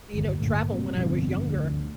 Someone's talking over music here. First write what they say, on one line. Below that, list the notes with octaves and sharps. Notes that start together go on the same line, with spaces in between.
you know travel when I was younger
G1 D#2
G1 A2 A#3
C3 G3
G1 F2 B2 D3
D2